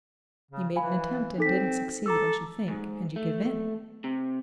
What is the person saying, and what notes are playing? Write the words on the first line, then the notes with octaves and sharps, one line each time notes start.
You made an attempt and didn't succeed, as you think, and you give in.
C#3
E3 F5 G#5 B5
C4 D#4 A4 B6
A4 A#5 D6 E6
G#2
A3
C3